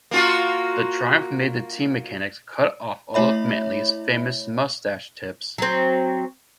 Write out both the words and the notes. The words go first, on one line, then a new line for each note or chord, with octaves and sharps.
The triumph made the team mechanics cut off Olaf Manthey's famous moustache tips.
A#3 F4 F#4
A3 E4 C#5 E5 B5
F#3 C4